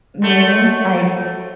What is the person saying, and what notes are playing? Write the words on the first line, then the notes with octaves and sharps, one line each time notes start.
me, I'd
F#2 A3